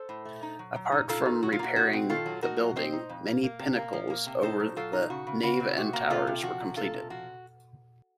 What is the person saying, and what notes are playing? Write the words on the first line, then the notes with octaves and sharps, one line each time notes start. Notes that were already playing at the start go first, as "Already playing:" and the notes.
Apart from repairing the building, many pinnacles over the nave and towers were completed.
Already playing: A4 C5
A2
A3
D#4
F#3
F#3
D#4
D#4 F4 A4
D#4
F#3 F#4
F4
A#3 F#4
D#4 F#4
C4
D#3 F4 A4
F#3
D#4 F#4 A#4
F#3
C4 C5 D#5
D#4
F2
A#3
A#3
C3
A#3
F3
A#3
C3
D#4 A4 C5
F#3
F#3 F4 A4
D#4
C#3 F#4
C#3
C#3 F#4
C4
C3 F#4
A#3
C3 F4 A4
C3
F3 F#4
C3
C3 F4 A4
C3
F3 F#4